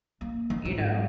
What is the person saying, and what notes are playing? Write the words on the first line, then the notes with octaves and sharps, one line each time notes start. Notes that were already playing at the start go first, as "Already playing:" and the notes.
you know.
A#3
D#3
G#2